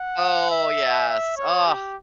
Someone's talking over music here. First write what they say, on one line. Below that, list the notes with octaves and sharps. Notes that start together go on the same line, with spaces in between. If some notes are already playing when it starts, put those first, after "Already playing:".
Oh, yes, ugh.
Already playing: F#5
E5
E5
C#5
G4